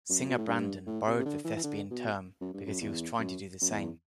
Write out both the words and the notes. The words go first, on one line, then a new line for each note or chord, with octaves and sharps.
Singer Brandon borrowed the thespian term because he was trying to do the same.
F#2
B2
A2
G2
A2
C3
C3
D3
E3
E3
D3
B2
F#2
G2
F#2
E2
F#2
F#2
E2